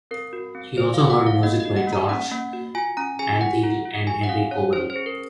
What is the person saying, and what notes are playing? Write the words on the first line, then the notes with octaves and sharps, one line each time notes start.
He also heard music by George Antheil and Henry Cowell.
C4 A#4
F#4
C4
C4 C5
F5
C4
F#5
C4
F5
A#3 D#5
D#5
F#4
F#5
A#3
A#5
C#4 F#5
A#3
F#4
F4 G#5
C#4 A#5
G#4 G#5
G#4 F#5
F4
F4
G#4 G#5
F#5
C#4 F5
C#4 C#5
C#4 C5
C5
G#4
A#4